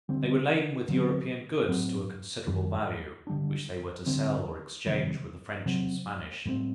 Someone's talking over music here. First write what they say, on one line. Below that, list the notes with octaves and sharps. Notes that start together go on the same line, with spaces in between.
They were laden with European goods to a considerable value, which they were to sell or exchange with the French and Spanish.
D3 G3 C4
D3 F#3 C4
A2 F#3 C4
F#2 D#3 G3
D3 G3 D4
D3 G3 C4
C3 D#3 G3
C3 F#3 C4
A2 G3 C4